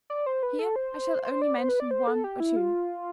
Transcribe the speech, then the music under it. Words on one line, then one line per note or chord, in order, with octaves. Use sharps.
Here I shall only mention one or two.
D5
C5
B4
A4
C5
C5
D5
C5
B4
D5
C5
A4
G4
E4
F4